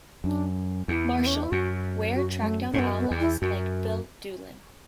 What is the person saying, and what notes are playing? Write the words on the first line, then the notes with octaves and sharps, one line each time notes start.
Marshal, where tracked down outlaws like Bill Doolin.
F#2 D4
E2 E4
B3
C#4
D4
E4
F#2 F#4
F#4
G#3
A3
G#2 C#4
F#2 B3
B3
E2
E4
F#2 F#4